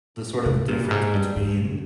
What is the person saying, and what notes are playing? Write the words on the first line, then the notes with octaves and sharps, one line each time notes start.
the sort of difference between
C3
A#2
G2
G#2
G2
G#2
D3